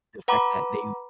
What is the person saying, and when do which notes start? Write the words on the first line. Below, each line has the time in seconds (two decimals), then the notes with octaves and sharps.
the fact that they
0.28 B4 F#5 A#5 B5 D6